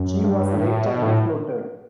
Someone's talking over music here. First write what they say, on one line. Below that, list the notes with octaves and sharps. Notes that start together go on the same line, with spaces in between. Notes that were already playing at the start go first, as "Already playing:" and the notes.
She was later refloated.
Already playing: F#2
G2
A2
B2
A2